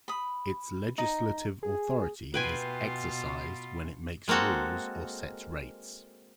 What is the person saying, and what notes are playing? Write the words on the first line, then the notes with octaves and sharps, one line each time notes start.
Its legislative authority is exercised when it makes rules or sets rates.
B5 D#6
D#4
G#4
B2 F4 B4 G5 G#5
G#3 A#3 C4 F#4 A4